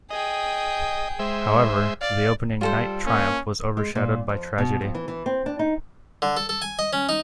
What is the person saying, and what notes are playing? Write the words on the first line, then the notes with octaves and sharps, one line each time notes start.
However, the opening night triumph was overshadowed by tragedy.
G#4 D#5 G5
G#3 C5 E5
D5 F5
G3 F4 A4 C5
A#3 C#4
G#3
A#2
F2
B2
F2
E3
E3
C4
D4
D#4
D3
A4
A4
G#5
D#5
C#4
D#4